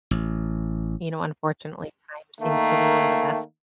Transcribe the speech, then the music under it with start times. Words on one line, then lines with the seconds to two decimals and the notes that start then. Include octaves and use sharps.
you know, unfortunately, time seems to be one of the best
0.11 A1
2.41 D#3 A3 A#3